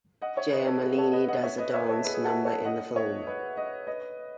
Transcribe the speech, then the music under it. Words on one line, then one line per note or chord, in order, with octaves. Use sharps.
Jayamalini does a dance number in the film.
D#5 F#5
C#5 E5
B4 D#5
A4 C#5
G#4 B4
A4 C#5
B4 D#5
D#5 F#5
C#5 E5
B4 D#5
C#5 E5
A4 C#5
G#4 B4
G#4
F#4 A4
A4 C#5
D#5 F#5
C#5 E5
B4 D#5
B4 D#5
B4 D#5